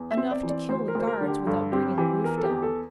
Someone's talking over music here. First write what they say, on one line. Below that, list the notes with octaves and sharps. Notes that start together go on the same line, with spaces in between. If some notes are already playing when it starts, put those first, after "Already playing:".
Enough to kill the guards without bringing the roof down.
Already playing: E2
E5
C4
D5
E3
D5
D2 C5
A#4
D2 C5
A#4
D3
G4
G2 A4
C4 G4
E3 G4
E2 A#4
A4
G4
E2
A4